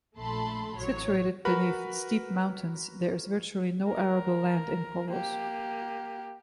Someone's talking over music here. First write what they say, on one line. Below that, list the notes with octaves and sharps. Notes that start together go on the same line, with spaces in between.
Situated beneath steep mountains, there is virtually no arable land in Poros.
A#1 A3 A5 B5 C6
A1 F#3 C#5
F#4 A#4 B4 B5
A#4
A#3 G4